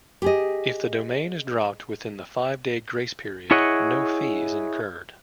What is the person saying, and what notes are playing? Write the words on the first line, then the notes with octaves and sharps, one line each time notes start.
If the domain is dropped within the five-day grace period, no fee is incurred.
G4 G#4 D#5
E4 G#4 C#5 D#5 F#5